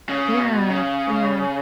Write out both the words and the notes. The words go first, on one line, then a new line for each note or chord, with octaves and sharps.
Yeah, yeah.
C#3
B2
C#3